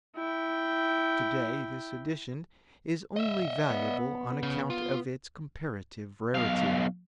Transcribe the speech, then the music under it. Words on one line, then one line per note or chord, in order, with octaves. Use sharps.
To-day this edition is only valuable on account of its comparative rarity.
E4 G5
D#5 E5
B3
C#3
F4
B1 F5